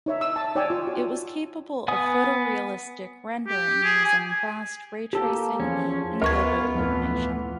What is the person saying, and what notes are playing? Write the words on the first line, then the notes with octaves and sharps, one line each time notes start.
It was capable of photorealistic rendering using fast ray tracing and global illumination.
D#4 C#5 E5
E6
A5
D#4 C#5 D5 G5 G#5 E6
F4
F#4
B3 F#5 G#5 D#6
G4
G#4
G#5
A#3 G4 A4 G5
E2 F3 C#4
D2 B3 F4 A#4 C#6 G#6
F2 A2 E3